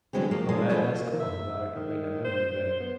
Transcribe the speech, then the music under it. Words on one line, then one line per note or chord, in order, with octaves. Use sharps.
Oh, that that's cool, glad I could bring that memory back.
D3 E3 F#3 G#3 B3 C4
F3 A#3
F3 G#3 C#4
E3 A3 C#4 E4 F4 C5
A#3
E5
D#3
C5
B3